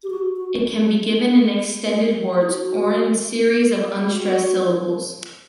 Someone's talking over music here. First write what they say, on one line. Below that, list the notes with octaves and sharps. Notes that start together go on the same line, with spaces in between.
It can be given in extended words or in series of unstressed syllables.
G4
F#4
F#4
E4
F#4
F#4